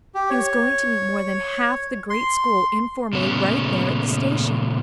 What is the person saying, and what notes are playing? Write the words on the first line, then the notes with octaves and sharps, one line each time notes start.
He was going to meet more than half the great school informally right there at the station.
G4
C#5
C6
A#2 C#3 A3 B3 C#4